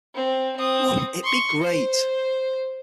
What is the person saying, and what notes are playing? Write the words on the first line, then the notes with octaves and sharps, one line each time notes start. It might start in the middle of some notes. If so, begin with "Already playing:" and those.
Wouldn't it be great?
C4
C4 D#6
C6 C#6
C5